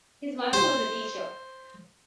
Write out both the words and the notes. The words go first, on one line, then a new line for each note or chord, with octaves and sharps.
His mother was a teacher.
C5